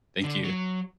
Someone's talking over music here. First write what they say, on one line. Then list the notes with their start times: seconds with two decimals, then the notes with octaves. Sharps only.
Thank you.
0.24 D3
0.44 F#3